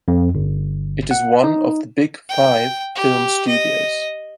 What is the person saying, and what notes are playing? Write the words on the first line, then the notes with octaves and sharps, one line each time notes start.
It is one of the Big Five film studios.
F2
G1
F#5
D#4
G5
G4
D#5